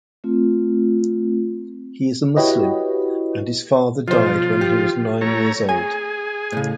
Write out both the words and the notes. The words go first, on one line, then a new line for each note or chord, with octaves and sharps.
He is a Muslim, and his father died when he was nine years old.
A3 C4 F4
E4 F#4 G4 B4 C#5 D#5
B1 F3 F4 C5
G4
A3 C#5 A#5
G#4 G#5
A2 C#3